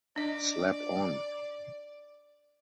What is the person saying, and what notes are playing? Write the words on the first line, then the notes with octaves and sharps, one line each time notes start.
Slap on!
D4 D5 D#5